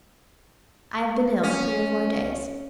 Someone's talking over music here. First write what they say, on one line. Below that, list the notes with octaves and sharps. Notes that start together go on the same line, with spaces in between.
I have been ill three or four days.
C#4